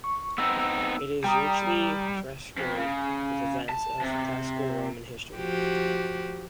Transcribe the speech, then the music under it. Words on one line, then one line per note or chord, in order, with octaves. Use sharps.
It is richly frescoed with events of classical Roman history.
C#6
B3 C4 D#4 E6
G3 G5 A#5 D#6
F2
C#3
A5
C3
F3 F#4 G4